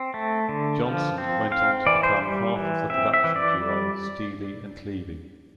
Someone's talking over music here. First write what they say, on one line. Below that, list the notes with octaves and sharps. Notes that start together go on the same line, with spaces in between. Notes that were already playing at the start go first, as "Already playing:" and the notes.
Johnson went on to become half of the production duo Steely and Clevie.
Already playing: C4
A3
D3
F3
C4
C4 F5
E3 D5
C5
G3
E3
C4 E5
E5
E3
D5
G3